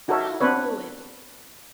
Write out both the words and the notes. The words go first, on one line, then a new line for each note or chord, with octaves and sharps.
"I'll rule it!"
D#4 F#4 A4 A#4 C#5 E5
B3 C4 D4 B4 C#5